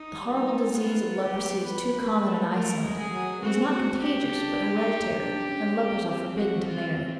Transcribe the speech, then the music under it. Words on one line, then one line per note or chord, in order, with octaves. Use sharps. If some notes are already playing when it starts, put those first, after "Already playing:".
The horrible disease of leprosy is too common in Iceland; it is not contagious, but hereditary, and lepers are forbidden to marry.
Already playing: D#4
G3
D#4
A3
B3 F4
G4
B4
A#3
A3
A3 A#4
G#3
G#4
F#3
C4 F#4
F#4
C#4 G4
D4
D#4
D4
C#4
C4
G4
F#4
F4